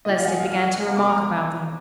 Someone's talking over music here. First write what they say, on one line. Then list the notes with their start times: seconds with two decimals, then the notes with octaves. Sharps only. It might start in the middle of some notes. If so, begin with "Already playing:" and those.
Leslie began to remark about them.
0.05 A#2 F3 D#5
0.17 F5
0.24 F#5
0.28 G#5
0.40 F5
0.46 F#5
0.51 F5
0.62 F#5
0.75 F#5
0.86 A#5
0.97 B2 D6
1.09 A#5